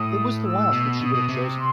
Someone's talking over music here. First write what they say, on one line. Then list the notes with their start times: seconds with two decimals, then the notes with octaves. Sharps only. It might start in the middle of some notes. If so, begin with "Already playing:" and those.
It was the last which she would have chosen.
Already playing: A2 D#6
0.44 E6
0.72 B2
1.01 B2 D#6
1.15 B2
1.29 C3
1.57 C6